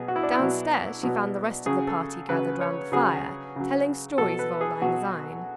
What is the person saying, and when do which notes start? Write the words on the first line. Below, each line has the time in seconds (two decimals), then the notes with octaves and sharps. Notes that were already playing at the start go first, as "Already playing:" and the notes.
Down-stairs she found the rest of the party gathered around the fire, telling stories of Auld Lang Syne.
Already playing: B2 F#3 G#4
0.08 F#4
0.16 E4
0.23 D4
0.31 E4
0.40 B2 F#3
1.03 B2 F#3
1.66 C#3 F#3 G#4
1.87 A4
2.29 C#3 F#3 B4
2.61 C#5
2.92 C#3 F#3 G#4
3.56 C#3 F#3
4.18 B2 F#3 A4
4.39 B4
4.61 G#4
4.82 B2 F#3 F#4